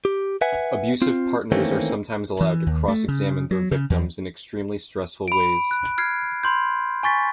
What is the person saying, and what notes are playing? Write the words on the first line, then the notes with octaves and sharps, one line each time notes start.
Abusive partners are sometimes allowed to cross examine their victims in extremely stressful ways.
G4
B4 E5 F#5 G#5
C4 F4
D#3 E3 A3 A#3 C4 C#4
E3
D#2
A3
C#3
F#3
C#3
E2
B5 D7
F#6
F6 G#6 C7
B5 C6 G6
G#5 C#6 A6 B6